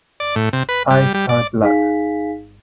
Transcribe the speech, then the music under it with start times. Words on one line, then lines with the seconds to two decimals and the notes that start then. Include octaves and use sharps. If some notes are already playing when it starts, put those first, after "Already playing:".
Eyes are black.
0.20 D5
0.36 A2
0.53 C3
0.69 B4
0.90 G3
1.14 G3
1.29 D5
1.62 D#4 G#4 F5 G#5 B6